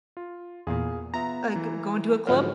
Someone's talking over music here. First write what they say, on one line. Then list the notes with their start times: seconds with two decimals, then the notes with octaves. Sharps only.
Uh, g going to a club?
0.17 F4
0.67 E2 A#2 G#4 F5
1.14 B3 F4 E5 A#5
1.56 E3
2.27 G#2 D3 F3 F#3 D#5 F6